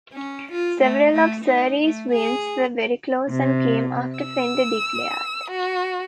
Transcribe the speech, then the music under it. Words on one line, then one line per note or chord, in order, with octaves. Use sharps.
Several of Surrey's wins were very close, and came after Fender declared.
C#4
F4
A3
A3
D#4
A3
G#4
C3
E6
F#4